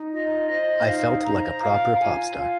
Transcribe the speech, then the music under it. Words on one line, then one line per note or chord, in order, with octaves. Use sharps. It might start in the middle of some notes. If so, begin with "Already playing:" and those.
I felt like a proper pop star.
Already playing: D#4
F4 D#5
C5 D#5
D#4 F5
C5 A#5
F4 F5
A#5
F4 G#5
F4 F5